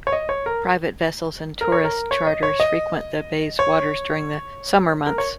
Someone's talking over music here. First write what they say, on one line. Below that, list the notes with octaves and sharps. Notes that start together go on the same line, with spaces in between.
Private vessels and tourist charters frequent the bay's waters during the summer months.
C#5
D#5
C#5
A#4
A#4
C#5
A#4
C#5
D#5
C#5
D#5
C#5
A#4
C#5